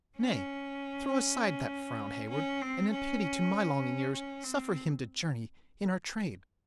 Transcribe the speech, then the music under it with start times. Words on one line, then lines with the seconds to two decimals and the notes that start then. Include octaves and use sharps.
Nay, throw aside that frown, Heyward, and in pity to my longing ears, suffer him to journey in our train.
0.18 C#4
2.30 C#4
2.61 C4
2.91 C#4
4.13 C#4
4.43 C4